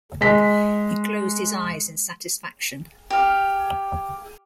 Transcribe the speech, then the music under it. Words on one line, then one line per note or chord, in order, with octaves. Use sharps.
He closed his eyes in satisfaction.
G#3 B6
G4 F5